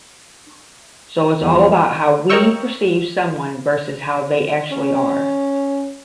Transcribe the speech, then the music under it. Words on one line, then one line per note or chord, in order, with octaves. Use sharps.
So it’s all about how we perceive someone versus how they actually are.
E2 F3 G3
A#4 C#5 D#5 G5 C#6 E6
C#4